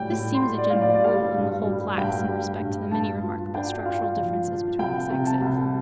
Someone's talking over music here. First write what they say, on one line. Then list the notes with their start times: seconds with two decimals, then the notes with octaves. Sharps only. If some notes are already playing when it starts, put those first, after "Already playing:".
This seems a general rule in the whole class in respect to the many remarkable structural differences between the sexes.
Already playing: A2 G3 D5 G5
0.11 A2
0.34 C6
0.42 A2
0.58 D5
0.70 A2 F5
0.81 D5
0.94 D5
1.04 G3 F5
1.36 G2
1.67 G3
1.98 G2 G5
2.29 G3
2.60 G2
2.91 G2 A5
3.23 F4
3.54 D4 G5
3.85 F4 F5
4.17 F3
4.48 F3
4.79 C2 G5
5.10 C3
5.26 A5
5.41 C2